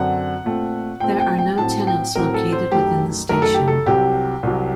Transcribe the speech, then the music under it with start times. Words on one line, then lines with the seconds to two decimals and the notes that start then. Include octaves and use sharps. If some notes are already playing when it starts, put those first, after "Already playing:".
There are no tenants located within the station.
Already playing: F#2 D3 F#3 C4 F#5
0.44 A#2 A3 C4
1.00 A#2 A3 C4 G5
1.20 G5
1.39 G5
1.58 A2 F#3 C4 A5
1.87 G5
2.15 A2 F#3 C4 A#4
2.34 A4
2.53 C5
2.72 F#2 D#3 A3 G4
3.29 F#2 D#3 A3 A#4
3.42 A4
3.54 G4
3.68 A4
3.86 C2 C3 F#3 G4
4.43 C2 C3 F#3